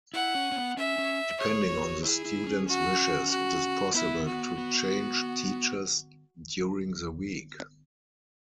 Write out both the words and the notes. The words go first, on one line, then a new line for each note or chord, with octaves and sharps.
Depending on the student's wishes, it is possible to change teachers during the week.
E4 F#5
C#4
C#4
B3
C#4 E5
C#4
G#4 C#5
F#4
F#4
E4 G#4
E4
C#4
F#4
F#4
B3 E4
F#4
B3